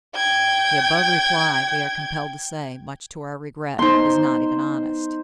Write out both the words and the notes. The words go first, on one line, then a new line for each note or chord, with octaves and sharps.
The above reply, we are compelled to say, much to our regret, is not even honest.
G5 G#6
B3 D#4 C5 C6